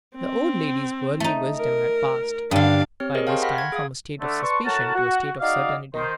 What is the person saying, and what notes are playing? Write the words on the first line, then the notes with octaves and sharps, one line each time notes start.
The old lady's worldly wisdom had passed, by this time from a state of suspicion to a state of certainty.
C4
A3 D#4
A#4
G2 D3 D4 F5
C4 G4 C#5 F6
G4 G#4 A#4 C5 D#5
F5 G5 A5 C6 C#6
F#5 B5 F6 A#6 B6
G#6
G#4 F5 D#6
D3 A3
B4 D5 A5 C6 C#6
A2 F#4 A#4 A5
F#4
D#4 F#4 G#4 D5 D#5 F5
D#3 C5